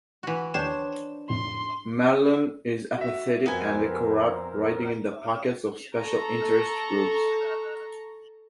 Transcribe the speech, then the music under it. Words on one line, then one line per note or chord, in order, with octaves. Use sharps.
Marlon is apathetic and corrupt, riding in the pockets of special interest groups.
E3 F#4
D#2 D4 C5 C#5 G5 E7
F2 A2 C6
F#4 E5
F2 B3 C4 A#4 G#5
A4 A#5 C#6